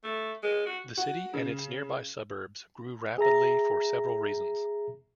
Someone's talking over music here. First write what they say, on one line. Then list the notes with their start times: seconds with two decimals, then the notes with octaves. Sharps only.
The city and its nearby suburbs grew rapidly for several reasons.
0.04 A3
0.43 G#3
0.66 F#4
0.97 F#4
1.33 C#3
3.18 G#4 E5 A#5 A#6